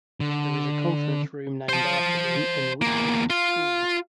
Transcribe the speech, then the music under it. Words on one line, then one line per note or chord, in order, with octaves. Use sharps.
There is a conference room named after him in Whitgift School.
D3
C5 A5
E2 A#3
F4